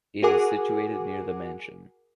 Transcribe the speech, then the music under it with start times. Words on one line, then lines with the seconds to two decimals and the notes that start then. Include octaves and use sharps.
It is situated near The Mansion.
0.22 F#4 G#4 A#4 F#5 G#5 D6